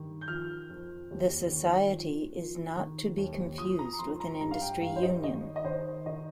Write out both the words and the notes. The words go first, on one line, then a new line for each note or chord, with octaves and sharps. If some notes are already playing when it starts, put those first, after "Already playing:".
The society is not to be confused with an industry union.
Already playing: G2 D#3
G6
F3 F6
F2
D#2
D#3
F3
F3
D#3
D#2
F3 D#6
A#5
F2 C6
A#5
G2 A#5
F5
G5
G2 F5
C5
D#5
D#3 D#5
D#5
D#3 C5
D#3 D#5